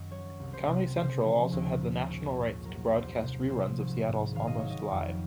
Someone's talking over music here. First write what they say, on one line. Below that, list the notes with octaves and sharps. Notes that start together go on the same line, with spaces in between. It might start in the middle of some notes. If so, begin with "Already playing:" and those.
Comedy Central also had the national rights to broadcast reruns of Seattle's Almost Live!
Already playing: F#2 D#3 D#5
F#3 C#5
C2
C5
C3
C#3 C5
F3
D#2
D#3
A#1
G#2
F#3 A#4
C2 C5
C3 C5
F3 C5
G#1
G#2
D#3 F5
D#5
F#3 C#5
D#5
F2